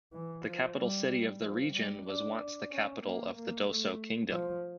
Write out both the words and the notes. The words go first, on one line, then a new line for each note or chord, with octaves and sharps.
The capital city of the region was once the capital of the Dosso kingdom.
E3
F3
G3
F3
G3
D4
C#4
A#3
A#3
A3
F3